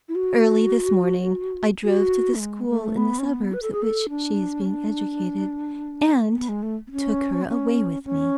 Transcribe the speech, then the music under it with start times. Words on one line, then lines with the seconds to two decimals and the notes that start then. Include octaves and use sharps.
Early this morning I drove to the school in the suburbs at which she is being educated, and took her away with me.
0.09 E4
0.15 F#4
1.84 F#4
2.35 A3
2.40 G#3
2.68 A3
2.97 B3
3.19 C#4
3.24 B3
3.53 B4
3.62 A4
3.73 G#4
3.82 A4
4.09 D4
4.61 C#4
4.66 D4
6.36 B3
6.49 G#3
6.63 A3
6.87 B3
6.91 C#4
7.42 B3
7.48 C#4
8.05 C#4